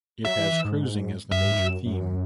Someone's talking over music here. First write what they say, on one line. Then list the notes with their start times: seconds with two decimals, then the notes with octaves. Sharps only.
It has cruising as the major theme.
0.25 F#3 E5
0.38 E3
0.52 E3
0.65 G#2
1.31 F#2 E5
1.45 G#2
1.59 F#2
1.86 F#2